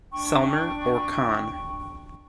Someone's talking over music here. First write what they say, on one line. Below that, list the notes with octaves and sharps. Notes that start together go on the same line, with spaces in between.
Selmer or Conn.
D4 G5 C#6